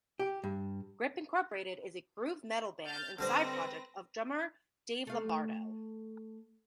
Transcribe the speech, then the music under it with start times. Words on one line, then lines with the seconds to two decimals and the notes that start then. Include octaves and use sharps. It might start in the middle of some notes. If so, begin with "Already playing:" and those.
Grip Incorporated is a groove metal band and side project of drummer Dave Lombardo.
0.19 G4
0.44 G2
2.86 F6 G6 A6
3.19 D3 G3 C4 B4 C5 A#6
5.07 A3 F5